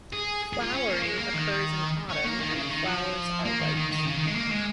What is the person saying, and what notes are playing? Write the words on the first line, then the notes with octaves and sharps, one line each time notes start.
Flowering occurs in autumn and the flowers are white.
G#4
G#4
F4
C#4
A#3
G#3
A#3
D#3
C#4
A#3
D#3
C#3
D#3
F3
A#3
D#3
D#3
D#3
C#3
D#3
G#3
A#3
G#3